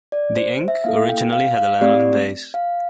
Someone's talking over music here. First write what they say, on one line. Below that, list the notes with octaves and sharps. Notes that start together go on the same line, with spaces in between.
The ink originally had a lanolin base.
D5
C5
E5
A#3 E4 A4 F5
G5
F5
F5
A3 C4 G4 D5
F5